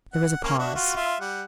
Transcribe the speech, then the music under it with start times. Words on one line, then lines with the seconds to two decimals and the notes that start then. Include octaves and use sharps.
There was a pause.
0.13 F#5
0.43 A#3 C#4
0.58 D4 F#4 E5
0.75 F4 F#4
0.96 F4 E5
1.21 G3 F#5